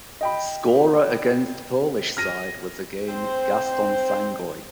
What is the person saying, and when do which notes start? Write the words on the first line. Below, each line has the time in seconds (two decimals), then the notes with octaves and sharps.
Scorer against Polish side was again Gaston Sangoy.
0.21 D#5 G5 B5
2.17 F6 A#6 D#7
3.07 C4 C5